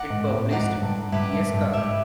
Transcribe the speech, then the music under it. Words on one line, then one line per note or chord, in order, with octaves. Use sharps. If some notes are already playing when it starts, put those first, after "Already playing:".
It published "Yesca".
Already playing: D5 F#5 A#5
G#2
A2
G#2 D5 F#5 A#5
G2
G2 E4 G4 B4 E5
G2
G2
G#2 E4 G4 B4 E5